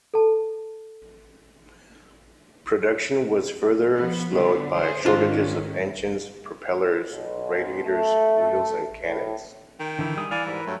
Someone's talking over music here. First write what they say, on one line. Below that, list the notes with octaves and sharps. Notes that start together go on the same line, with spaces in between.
Production was further slowed by shortages of engines, propellers, radiators, wheels and cannons.
A4 A5
F3 B3
D3 G3 B3
G#4 C5
G#2 D#3 C#4 D4 F4 C5
B1
A3
A2
D#3 G5
D3 E3
G3 G#4 D#6
E3 D5 F5 G#5
G#2 G3 A#4 B4
G2 F#3 A3